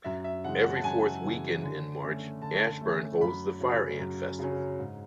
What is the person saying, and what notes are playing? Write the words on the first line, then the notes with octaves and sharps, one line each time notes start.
Every fourth weekend in March, Ashburn holds the Fire Ant Festival.
F#2 E5
E5
C#3 E3 G#3 F#5
F#5
A5
F#2 G#5
C#3 E3 G#3
D3
A3 C#4
D3 A5
A3 C#4
F#2 B5
C#3 F#3 C#4
F#2
C#3 F#3 C#4
G#2